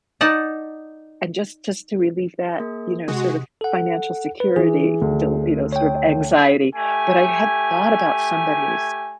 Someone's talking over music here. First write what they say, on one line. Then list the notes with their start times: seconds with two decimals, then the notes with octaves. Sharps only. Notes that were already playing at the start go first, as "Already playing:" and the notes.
And just just to relieve that, you know, sort of financial security, dil you know, sort of anxiety, but I hadn't thought about somebody's
0.21 D#4 D5 F#5 A5
2.58 A#3 G#4 A#4
3.08 C3 G#3 F#4 D#6
3.61 A4 F#5
4.40 B4
4.56 E3 G#4
5.01 D2
5.73 C#5 G5
6.74 A3 G4 G#5